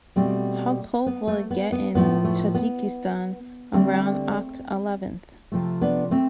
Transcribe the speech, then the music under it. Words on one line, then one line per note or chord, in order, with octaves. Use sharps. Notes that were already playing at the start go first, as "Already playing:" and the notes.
How cold will it get in Tajikistan around oct. eleventh?
B2 G3 A3 C4
B3
A3
B3
B3
A2 F3 A3 B3
A3
B3
D3 G3 A3 C4
C3 F3 A3
B3 D4
A3 C4